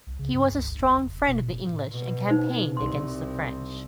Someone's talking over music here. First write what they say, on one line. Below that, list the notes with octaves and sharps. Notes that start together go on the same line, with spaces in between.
He was a strong friend of the English and campaigned against the French.
C2
C#3
G2
C#2
F#1
E2
F1
F1
B2
A2
B2
D#4 C5
C2 C6